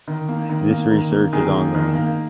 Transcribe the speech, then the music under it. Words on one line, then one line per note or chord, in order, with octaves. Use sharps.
This research is ongoing.
D#3
A#3
D#3
A#3
D#3
A#3
D#3 G#4
A#3
D#3
A#3